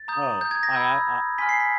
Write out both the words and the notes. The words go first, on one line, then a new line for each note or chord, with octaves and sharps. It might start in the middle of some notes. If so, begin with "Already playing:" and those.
Oh, I, uh, uh
Already playing: A6
A#5 D#6 G6
G6
G#6
A#6
B5 E6 G6
G#5 C6 F6 B6
C7
B6